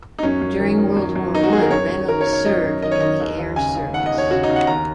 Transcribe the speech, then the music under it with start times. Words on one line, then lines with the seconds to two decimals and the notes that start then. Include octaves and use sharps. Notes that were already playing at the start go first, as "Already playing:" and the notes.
During World War One, Reynolds served in the Air Service.
0.19 D#4
0.23 F#2 C#4
0.41 F#2
0.60 D#3
0.78 D#3
0.97 F#2
1.16 F#2
1.34 D#3 D#4
1.43 F#4
1.52 D#3 G#4
1.62 A#4
1.70 F#2 C#5
1.90 F#2
2.08 D#3 A#4
2.21 C#5
2.26 D#3
2.33 C#5
2.45 F#2 D#5
2.64 F#2
2.82 D#3 D#5
2.91 C#5
3.00 D#3 D#5
3.20 D#2
3.38 D#2
3.56 C#3 G#5
3.75 C#3
3.93 D#2 F#5
4.06 D#5
4.13 D#2
4.18 C#5
4.31 C#3 F#4
4.43 D#4
4.50 C#3
4.56 F#5
4.67 D#2 A#5